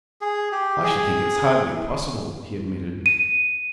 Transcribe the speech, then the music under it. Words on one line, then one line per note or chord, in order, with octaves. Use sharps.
"I should think it hardly possible," he admitted.
G#4
G4
G#4
D#7